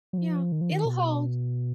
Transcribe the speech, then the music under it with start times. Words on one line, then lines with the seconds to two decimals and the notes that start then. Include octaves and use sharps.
Yeah, it'll hold.
0.13 F#3
0.18 F3
0.52 D#3
0.61 F3
0.71 D#3
0.85 B2